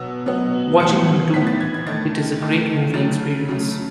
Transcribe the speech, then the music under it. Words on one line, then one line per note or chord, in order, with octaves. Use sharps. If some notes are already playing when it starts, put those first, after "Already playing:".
Watching them do it is a great movie experience.
Already playing: B2 F#3 B3 E6
B2 F#3 B3
A2 E3 B3 C#7
A2 E3 B3 B6
A6
G#6
G#6
D#3 A3 A6
D#3 A3
C#3 F#3 A3 A6
C#3 F#3 A3